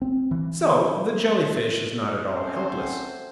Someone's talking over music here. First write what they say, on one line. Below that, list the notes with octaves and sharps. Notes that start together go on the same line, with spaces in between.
So the Jelly-fish is not at all helpless.
C4
E3
A3 C4 C#4 F#4 A4 C5